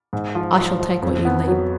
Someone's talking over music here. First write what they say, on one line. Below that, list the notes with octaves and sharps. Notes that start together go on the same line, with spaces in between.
I shall take what you leave.
G#2
F3
F3
F3
F2
B3
F#3